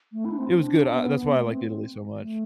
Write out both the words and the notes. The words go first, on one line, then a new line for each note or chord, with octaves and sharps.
it was good. I that's why I liked Italy so much,
A3
E4
D4
C4
C4
D4
B3
B3
A3
C4
A3